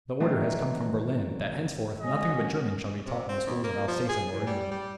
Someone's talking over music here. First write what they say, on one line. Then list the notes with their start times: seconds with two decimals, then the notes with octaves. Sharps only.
The order has come from Berlin that henceforth nothing but German shall be taught in the schools of Alsace and Lorraine.
0.20 A#2 D#3 E3 F#3 A3
2.00 G#3 C#4 F#4 D#5
3.06 C3
3.29 C4
3.47 D#2
3.63 A#3
3.87 F3
4.09 G#4
4.32 E3
4.47 G3
4.71 G3